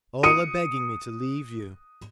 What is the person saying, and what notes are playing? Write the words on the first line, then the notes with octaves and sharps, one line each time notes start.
All a-begging me to leave you.
D#6 C#7 D#7